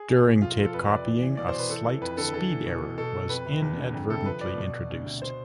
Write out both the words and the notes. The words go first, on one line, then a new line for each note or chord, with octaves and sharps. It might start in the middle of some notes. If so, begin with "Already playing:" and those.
During tape copying a slight speed error was inadvertently introduced.
Already playing: G#4
B2
B2
F3 F4
F4
F3
A4
F2 B4
C3 D5
E3
E3
B2 D5
B2 C5
B4
E3 A4
E3
F2 B4
D3 A4
E3 A4
E3
B2
B2
B2 A4
B2
F2 B4
C3
E2
D3
F2
C3 A4
F3 B4
F3 D5
B2
B2
D2
C3
B2 C5